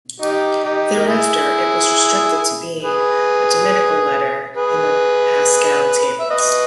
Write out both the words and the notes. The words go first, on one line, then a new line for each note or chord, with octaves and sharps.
Thereafter it was restricted to being a dominical letter in the Paschal tables.
D#4 G4
D#4 G4
A#4
E4 G#4
G#4 B4
G#4 B4
E5
B4 D#5